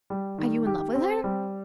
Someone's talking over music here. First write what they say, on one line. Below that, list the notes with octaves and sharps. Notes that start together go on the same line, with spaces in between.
"Are you in love with her?"
G3
D#3
G4
C4
G3